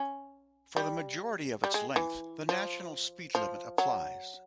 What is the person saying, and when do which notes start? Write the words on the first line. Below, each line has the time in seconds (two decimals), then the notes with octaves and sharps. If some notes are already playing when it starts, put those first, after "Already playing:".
For the majority of its length, the national speed limit applies.
Already playing: C#4
0.76 G3
1.64 G3
1.74 G#3
1.96 E3
2.49 F3
3.35 F3
3.78 F#3